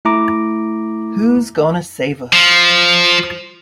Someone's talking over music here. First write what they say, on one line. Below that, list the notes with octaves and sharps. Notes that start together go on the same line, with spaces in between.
Who's Gonna Save Us?
A3 E4 A#5 D6
F3